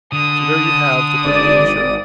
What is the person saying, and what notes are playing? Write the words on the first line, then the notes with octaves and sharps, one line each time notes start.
So there you have the pretty picture.
D3 D#6
G#1 D5